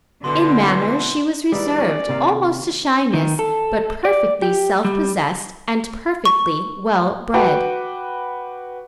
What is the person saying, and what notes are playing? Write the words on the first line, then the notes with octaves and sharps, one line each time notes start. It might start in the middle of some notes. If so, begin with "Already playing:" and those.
In manner she was reserved almost to shyness, but perfectly self-possessed, and perfectly well-bred.
B2 D3 E3 C6
E3 G3 G#3 A#3 D5
C#4 A#4 C#5
C3 D#3 A#3 F5
D#3
A4
D5
G4
G3
C#6
F#4 B4 G5 D6